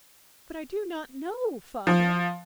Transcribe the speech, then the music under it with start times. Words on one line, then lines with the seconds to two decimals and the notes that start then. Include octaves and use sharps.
"But I do not know, Father!"
1.87 F3